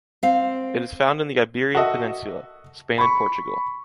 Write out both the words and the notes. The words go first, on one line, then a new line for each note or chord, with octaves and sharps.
It is found in the Iberian Peninsula: Spain and Portugal.
C4 F5
F#4 A4 D#5 E5
B5 C#6